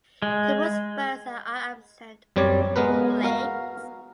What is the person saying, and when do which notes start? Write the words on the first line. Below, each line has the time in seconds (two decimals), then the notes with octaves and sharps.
Tibial spurs are absent on all legs.
0.22 G#3
2.36 F#2 G3 C4 C#5 D5
2.76 G#3 B3 A#4 B4
3.23 F#4 A#4 F5